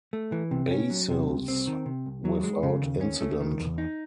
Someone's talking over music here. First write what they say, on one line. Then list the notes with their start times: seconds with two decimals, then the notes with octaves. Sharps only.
Basil's without incident.
0.13 A3
0.32 E3
0.51 C3
0.71 C#4
0.90 F#3
1.10 C3
1.29 C2
1.48 C4
1.67 D#3
1.86 C3
2.06 C2
2.25 F#3
2.43 G#3
2.63 C#3
2.82 D#2
3.01 C#4
3.21 A3
3.41 D#3
3.60 E2
3.78 D#4